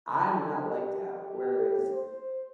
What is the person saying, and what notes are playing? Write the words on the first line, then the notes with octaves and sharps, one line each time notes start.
I'm not like that. Whereas,
C#3
G4
G4
C5